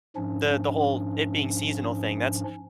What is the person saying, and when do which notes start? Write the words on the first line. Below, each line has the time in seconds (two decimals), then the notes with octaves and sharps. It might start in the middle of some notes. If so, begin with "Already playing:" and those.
the the whole it being seasonal thing. That's
0.16 G#2 F3 C#4 D4